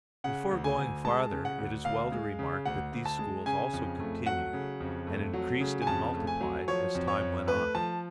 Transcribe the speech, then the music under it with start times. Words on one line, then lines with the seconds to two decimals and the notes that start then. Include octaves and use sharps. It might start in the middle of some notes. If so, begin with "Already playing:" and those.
Before going farther it is well to remark that these schools also continued, and increased and multiplied as time went on.
0.24 C#3 F#5
0.51 D2
0.64 G#5
0.78 D2
1.05 G#3 A5
1.32 C#3
1.45 F#5
1.59 D2
1.85 D2 F5
2.12 G#3
2.39 C#3
2.65 D2 F#5
2.92 D2
3.06 A5
3.19 G#3
3.46 C#3 G#5
3.73 F2
3.99 A3
4.26 F#3 F#5
4.53 C#3
4.80 F2
5.07 A3
5.33 F#3
5.60 C#3
5.82 G#5
5.87 F2 A5
6.14 A3
6.27 G#5
6.41 F#3
6.68 F3 C#5
6.95 F2
7.08 C#5
7.21 F2
7.48 A3 B4
7.75 F3 A5